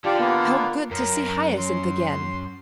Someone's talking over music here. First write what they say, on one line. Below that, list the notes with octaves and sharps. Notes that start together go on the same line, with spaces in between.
How good to see Hyacinth again!
D3 F4 G4 D5
A#3 B3 F4
F#2 A#4
C6